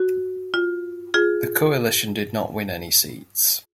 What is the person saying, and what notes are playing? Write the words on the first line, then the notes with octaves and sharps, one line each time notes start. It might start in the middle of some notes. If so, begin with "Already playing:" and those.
The coalition did not win any seats.
Already playing: F#4
F4
F4 G#4